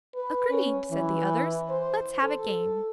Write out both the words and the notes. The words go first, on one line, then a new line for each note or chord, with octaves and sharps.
"Agreed!" said the others, "let's have a game."
B4
C#4
E3
C5
A4